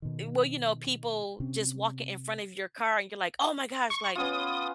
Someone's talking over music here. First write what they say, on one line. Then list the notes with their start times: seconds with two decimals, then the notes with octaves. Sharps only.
eh, well, you know, people just walking in front of your car and you're like, "Oh my gosh," like,
0.02 B2 D#3
1.40 C3 C4 C#4
3.90 C#6
4.16 B3 C#4 F4 D#6